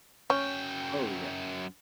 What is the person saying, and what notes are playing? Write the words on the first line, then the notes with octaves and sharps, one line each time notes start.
Oh yeah.
F#2 C#4 G5